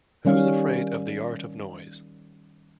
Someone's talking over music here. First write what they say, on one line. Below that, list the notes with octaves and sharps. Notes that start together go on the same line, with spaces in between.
Who's Afraid of the Art of Noise?
D#3 G3 C#4 F5